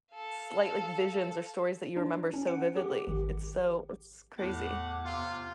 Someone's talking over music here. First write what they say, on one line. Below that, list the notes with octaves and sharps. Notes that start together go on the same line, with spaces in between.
slight, like, visions or stories that you remember so vividly. It's so it's crazy.
A4 F5
D4
C#4
F#5
G4
G#1
E2 A2 F#5 D6
C3 F4